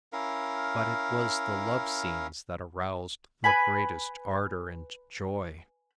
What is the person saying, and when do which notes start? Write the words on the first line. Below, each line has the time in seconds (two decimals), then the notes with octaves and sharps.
But it was the love scenes that aroused the greatest ardor and joy.
0.13 C#4 E4 A#4 F5
3.44 B4 G#5 B5